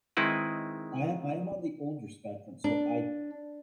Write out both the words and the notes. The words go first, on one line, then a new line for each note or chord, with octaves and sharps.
I I am on the older spectrum, so I
D#3 G#3 C4 D#4 E4 B4
D4